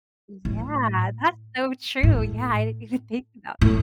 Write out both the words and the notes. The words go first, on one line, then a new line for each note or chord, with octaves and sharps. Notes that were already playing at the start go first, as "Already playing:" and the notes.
Yeah, that's so true, yeah, I didn't even think about
A2
A2
A2